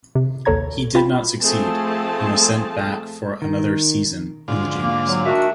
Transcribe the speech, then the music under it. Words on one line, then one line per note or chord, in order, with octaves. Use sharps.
He did not succeed and was sent back for another season in the juniors.
C3
A#1 D#2 A4 C#5 A#5 G#6
F4 B4 G5 B5
F3 A3 C4 G#4 A5
D#3
G#2 D3 F4
A#3
F#3
D#3 D4 F#4 E5